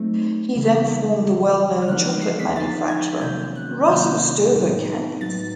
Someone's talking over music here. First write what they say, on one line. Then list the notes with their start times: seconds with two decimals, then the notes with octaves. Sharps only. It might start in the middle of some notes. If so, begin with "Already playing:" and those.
He then formed the well-known chocolate manufacturer Russell Stover Candies.
Already playing: F#3 A3 C4 D#4
0.56 C#3 E3 G3
1.23 C#3 E3 G3
1.82 F6
1.88 D3 F3 G#3 B3 D#4 F#6
2.05 F#6
2.21 C7
2.39 B6
2.55 D3 F3 G#3 B3 D#4 A6
2.89 G#6
3.21 C3 D#3 F#3 A#3 C#4 G6
3.56 F#6
3.88 C3 D#3 F#3 A#3 C#4 G6
4.55 A2 F#3 B3 D#4
5.21 A2 F#3 B3 D#4 A6